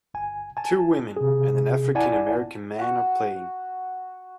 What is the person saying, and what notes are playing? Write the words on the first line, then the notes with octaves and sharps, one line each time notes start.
Two women and an african american man are playing.
G1 G#5
G#5 A5
C3 G#4
A1 E4 D5 F#5 G#5 A5
F#4 F#5